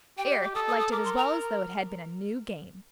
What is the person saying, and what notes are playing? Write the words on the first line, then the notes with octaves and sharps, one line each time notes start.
Eric liked it as well as though it had been a new game.
G4 G5
D#5
D6
A4 D#6
D#6
D#6
A#4 D6
C6
A#5